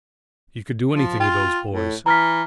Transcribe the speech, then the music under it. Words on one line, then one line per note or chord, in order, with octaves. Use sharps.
'You could do anything with those boys.
F3
F4 G5
A2
E3 A#5 F6 B6